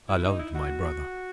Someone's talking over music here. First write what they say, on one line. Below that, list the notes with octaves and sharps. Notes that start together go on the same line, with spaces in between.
I loved my brother.
E4
D#4
E4
F#4